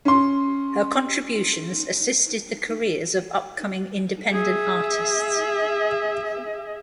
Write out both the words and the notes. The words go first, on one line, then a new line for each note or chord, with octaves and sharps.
Her contributions assisted the careers of upcoming independent artists.
C#4 C6
G#4 E5